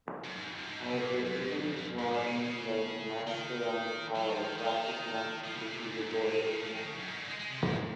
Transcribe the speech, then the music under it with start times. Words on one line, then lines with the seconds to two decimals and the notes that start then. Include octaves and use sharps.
However, even while in the Mysteron's power, Black is not completely devoid of humanity.
0.25 F#2
0.36 G#2
0.46 F2
0.58 F#2
0.68 G#2
0.79 F#2
0.90 C3
1.00 A#2
1.12 F#2
1.26 F#2
1.41 G#2
1.55 F#2
1.65 F2
1.76 F#2
1.99 G#2
2.12 A#2
2.27 C#3
2.35 D#3
2.43 C#3
3.28 D#3
4.15 F#3
4.29 F3
4.43 D#3
4.58 D#3
4.67 F3
4.76 D#3
5.44 F3
5.55 C#3
5.66 C3
5.77 A#2
5.88 G#2
5.99 F#2
6.10 G#2
6.21 A#2
6.31 C3
6.42 D#3
6.53 C#3
6.63 F3
6.74 D#3
6.85 C#3
6.96 F#2
7.07 G#2
7.17 A#2
7.24 A#3
7.28 G#3
7.39 G#3
7.50 C3
7.61 G#2